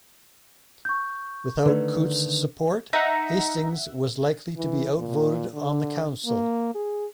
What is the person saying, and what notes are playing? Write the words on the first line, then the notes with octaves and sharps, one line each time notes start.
Without Coote's support, Hastings was likely to be outvoted on the Council.
C#6 G6
D3 D#3 A3 B4 D5
D#4 E5 F#5
E3
A#2
D3
A#3
G#4